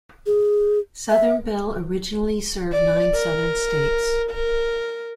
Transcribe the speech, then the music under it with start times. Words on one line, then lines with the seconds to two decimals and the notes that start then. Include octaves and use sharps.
Southern Bell originally served nine Southern states.
0.26 G#4
1.10 E5
2.72 D5
3.14 A#4
4.30 A#4